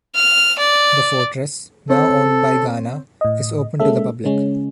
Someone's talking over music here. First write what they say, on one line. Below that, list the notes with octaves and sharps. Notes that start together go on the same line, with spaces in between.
The fortress, now owned by Ghana, is open to the public.
F6
D5
C4 A4 C#5
A2 D#5
G#3 A#3 C#4 A4 E5
C#3 G#3 C#4